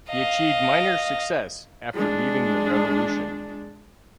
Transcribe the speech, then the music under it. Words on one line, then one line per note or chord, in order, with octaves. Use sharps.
He achieved minor success after leaving The Revolution.
D#5 F5
G#3 D4